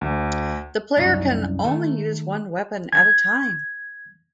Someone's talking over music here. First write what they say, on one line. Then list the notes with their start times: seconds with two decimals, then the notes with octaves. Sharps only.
The player can only use one weapon at a time.
0.01 D2
0.97 C2 F#2 C#3 C#4 D#4
1.64 D#3 A3
2.93 G#6